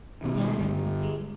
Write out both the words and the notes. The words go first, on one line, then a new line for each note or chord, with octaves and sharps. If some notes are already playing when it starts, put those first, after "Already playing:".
Yes, see, uh,
B2 D#3
G1